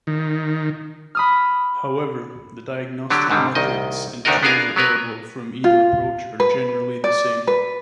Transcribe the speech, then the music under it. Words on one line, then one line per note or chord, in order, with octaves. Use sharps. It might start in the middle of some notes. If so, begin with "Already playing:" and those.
However, the diagnostic methods and tools available from either approach are generally the same.
D#3
B5 D#6 F6
D3 F#3 D4 G4
G#2 D3 D#3 G3
C2 D#3 D#5
D2 D#3 D4 F#4 A#4 D#5
B3 D4 F4 G#4 A#4 F5
F#3 B3 A#4 B4
F4
B4
D5
B4